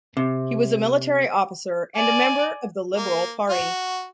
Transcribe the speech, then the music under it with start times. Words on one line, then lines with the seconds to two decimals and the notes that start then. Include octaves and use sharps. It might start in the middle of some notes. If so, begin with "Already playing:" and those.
He was a military officer and a member of the Liberal Party.
0.17 C3
1.96 D5 G#5
2.97 A#3
3.50 F#4